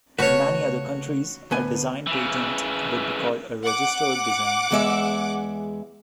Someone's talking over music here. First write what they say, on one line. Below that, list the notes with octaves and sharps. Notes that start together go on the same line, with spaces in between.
In many other countries, a Design Patent would be called a "registered design".
C#3 A3 F#4 B4 C#5
D2 B3 G#5
C#3 E3
F#5 D6
E2 G#3 E5